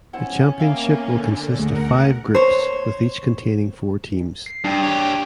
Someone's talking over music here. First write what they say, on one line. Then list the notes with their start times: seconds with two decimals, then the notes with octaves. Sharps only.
The championship will consist of five groups with each containing four teams.
0.13 B3 C#4 E4 C5 F#5
0.59 A#3 E5 F5 G5
1.03 D3
1.59 D2 A3 G#4 A#4 F#5
2.35 C5 C#5
4.46 C7
4.64 G2 D4 G5
4.83 G4 C#5